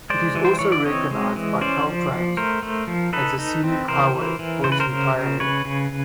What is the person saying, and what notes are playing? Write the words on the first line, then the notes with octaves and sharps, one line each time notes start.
It is also recognized by Caltrans as a scenic highway for its entire length.
G#3 C5 D5
E3
C5
E3 C#5
D5
C4 C#5 D#5
G#3
E3
C#4 C5 D5
F3
F3
A3 A#4 C5
A3
F3
D#4 A4 B4
D#4
C4
E3 A#4 C5
E3
E3
C#3 C5
B4
A#4 C5
C#3
C#3
C#3 B4 C#5
C#3